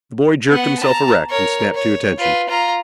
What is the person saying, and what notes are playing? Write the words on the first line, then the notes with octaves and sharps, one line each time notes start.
The boy jerked himself erect and snapped to attention.
B3 F#5
A5 A#5
A#4 C#5
C#5
F4 B4
F4 A#5